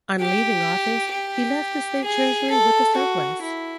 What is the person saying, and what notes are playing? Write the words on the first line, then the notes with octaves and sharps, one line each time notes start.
On leaving office, he left the state treasury with a surplus.
G4
G4
G#4
A4
F#4
E4